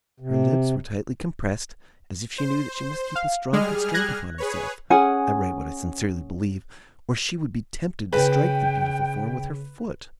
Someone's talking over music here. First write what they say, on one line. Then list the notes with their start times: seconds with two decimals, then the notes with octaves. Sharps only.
Her lips were tightly compressed, as if she knew that she must keep a strong constraint upon herself--I write what I sincerely believe--or she would be tempted to strike the beautiful form with her foot.
0.20 C3
2.38 C5
3.16 F5
3.53 G3 G#3 G#4 F6
3.94 F#6 G#6 A#6
4.38 G#4 B4 C#5
4.90 C#4 G#4 F#5 G#5
8.13 C#3 B4 G5